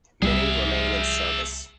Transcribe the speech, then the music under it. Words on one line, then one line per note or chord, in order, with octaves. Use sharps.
Many remain in service.
C2 G3 G#4 E5